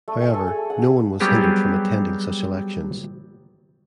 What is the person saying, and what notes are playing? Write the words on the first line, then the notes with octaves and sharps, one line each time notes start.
However, no one was hindered from attending such elections.
A3
G#5
A4
G#4
F#5
F#3 G3 B3 C4 G4 G#4